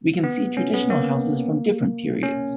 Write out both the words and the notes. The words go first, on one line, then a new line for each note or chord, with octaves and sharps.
We can see traditional houses from different periods.
B3
C#4
B3
A#3
C#4